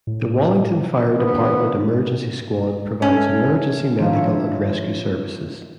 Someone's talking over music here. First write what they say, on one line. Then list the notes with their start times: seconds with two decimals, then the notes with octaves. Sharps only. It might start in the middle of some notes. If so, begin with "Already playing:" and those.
The Wallington Fire Department Emergency Squad provides emergency medical and rescue services.
0.07 A2
1.15 A#2 D3 E3 F3 B3
3.02 A3 C#4
3.98 D#3 F3 D4
4.12 E4 F4 C#5